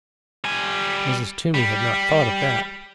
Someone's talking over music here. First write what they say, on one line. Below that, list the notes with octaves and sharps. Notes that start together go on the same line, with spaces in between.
Mrs. Toomey had not thought of that.
G3 G#5
G3